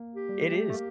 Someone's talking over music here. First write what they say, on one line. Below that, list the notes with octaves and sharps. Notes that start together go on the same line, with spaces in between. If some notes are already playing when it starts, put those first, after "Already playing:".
It is.
Already playing: A#3
G4
G3
A3
A3
A#3